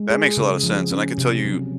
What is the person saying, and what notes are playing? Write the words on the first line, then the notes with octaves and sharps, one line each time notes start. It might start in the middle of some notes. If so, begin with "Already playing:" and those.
That makes a lotta sense, and I could tell you-
Already playing: G#3
G#4
C#3
F3
C#4
C3
F#3